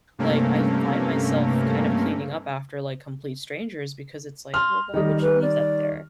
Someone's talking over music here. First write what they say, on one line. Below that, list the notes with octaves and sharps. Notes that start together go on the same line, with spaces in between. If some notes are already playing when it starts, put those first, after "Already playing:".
like, I find myself kind of cleaning up after, like, complete strangers because it's like, "Well, why would you leave that there?"
G2 C3 A3 A#3 C#4
C6 F6
D#3 G3 D#5
B4
D5